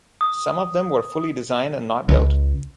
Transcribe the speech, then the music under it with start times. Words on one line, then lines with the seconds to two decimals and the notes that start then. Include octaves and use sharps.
Some of them were fully designed and not built.
0.21 D#6
2.09 C#2